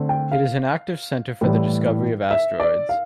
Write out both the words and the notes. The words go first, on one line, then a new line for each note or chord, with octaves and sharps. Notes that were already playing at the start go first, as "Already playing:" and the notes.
It is an active center for the discovery of asteroids.
Already playing: D3 A3 C4
G5
F5
A2 E3 G3
E5
D5
F5